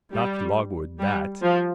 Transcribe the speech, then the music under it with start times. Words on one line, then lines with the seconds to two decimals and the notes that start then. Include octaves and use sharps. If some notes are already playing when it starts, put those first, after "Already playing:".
Not logwood that.
0.14 G3
0.99 G3
1.42 F3